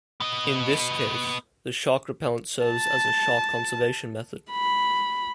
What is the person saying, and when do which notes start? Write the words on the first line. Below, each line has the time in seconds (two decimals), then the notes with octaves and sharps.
In this case, the shark repellent serves as a shark conservation method.
0.20 B3 D#5
2.65 A5
4.51 B5